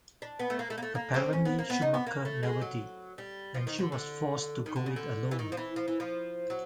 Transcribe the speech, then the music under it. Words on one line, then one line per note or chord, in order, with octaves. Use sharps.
Apparently Schumacher never did, and she was forced to go it alone.
D4
B3
A3
A#3
A3
A#3
A3
A#3
C4
C#4
B3
A#3
B3
D#4
B3
A#3
A3
G#3
F#3
G3
F3
D#3
D3
D3
D#3
D3
C#3
D3
E3
D#3
F3
E3
F3
E3
F3
F#3